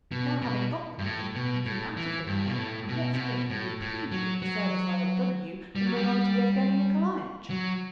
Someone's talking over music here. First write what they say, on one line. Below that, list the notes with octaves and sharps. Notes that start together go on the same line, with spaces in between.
Now, having got the money, you keep out of the way, and what's more, you repudiate the service I have done you in regard to Yevgeny Nikolaitch.
B2
B2
G2
A2
B2
A2
E3
G2
B2
A2
B2
C3
B2
A2
A2
F#3
F#3
G3
F#3
G3
F#3